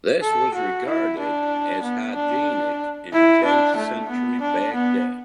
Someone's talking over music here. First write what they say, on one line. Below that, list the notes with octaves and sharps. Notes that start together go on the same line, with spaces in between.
This was regarded as hygienic in tenth century Baghdad.
A4
F#4
E4
D4
B3
D4
E4
D4
A3
B3
D4
B3